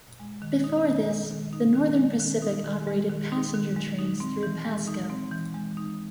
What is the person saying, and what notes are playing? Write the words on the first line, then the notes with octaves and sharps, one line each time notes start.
Before this, the Northern Pacific operated passenger trains through Pasco.
G#3
D#3
D#4
D#3
G#3
D#3
D#4
D#3
G#3
D#3
D#4
D#3
G#3
D#3
D#4
D#3
G#3
D#4
C4
E3
G#3
D#4
C4
E3
G#3
D#4